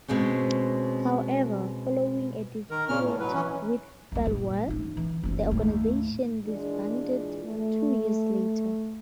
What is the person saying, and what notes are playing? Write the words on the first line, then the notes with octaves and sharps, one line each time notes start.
However, following a dispute with Falwell, the organization disbanded two years later.
B2 G#3 C4 C#4
D#3 A#4
A#2 C#3 C#4 F6
A2
B2 F#3 B4
E3 C#4
D1 F#2
G2 A#2
A1 D#4
E3
F#1 C#4
D#2 A2
A#2 E3 G#3 D4 F4 G#4
A3